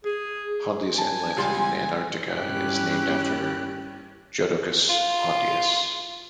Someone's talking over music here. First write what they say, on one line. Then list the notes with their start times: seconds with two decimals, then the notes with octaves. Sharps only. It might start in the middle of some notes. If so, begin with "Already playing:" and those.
Hondius Inlet in Antarctica is named after Jodocus Hondius.
0.05 G#4
0.98 G#5 A5
1.37 C#2 G3 C6
2.32 G2 C#4 E4 G4 F#6
4.89 F4